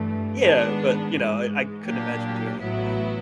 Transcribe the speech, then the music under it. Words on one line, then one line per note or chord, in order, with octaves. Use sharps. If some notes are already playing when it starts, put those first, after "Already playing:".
Yeah, but, you know, I I couldn't imagine doing it now.
Already playing: G2 E3 A3
G#2 D#3 G#3 B3 D4
G#2 E3 G#3
A#2 F#3 A#3 D4 G4
A1 A2 F#3 B3 E4